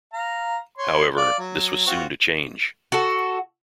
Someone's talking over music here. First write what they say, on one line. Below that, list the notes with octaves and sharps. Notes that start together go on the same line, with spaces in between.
However, this was soon to change.
F5 A#5
C#5 C6
D5 F5
F#3
C4 F4 F#4
F#4 A4